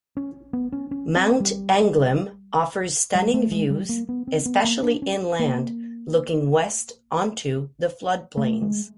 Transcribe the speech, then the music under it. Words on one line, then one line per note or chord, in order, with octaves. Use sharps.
Mount Anglem offers stunning views, especially inland looking west onto the floodplains.
C#4
B3
C#4
C#4
C4
G3
G3
A3
G#3
G3
A#3
B3
C4
B3
A#3
D4
C#4
A#3
A3
G#3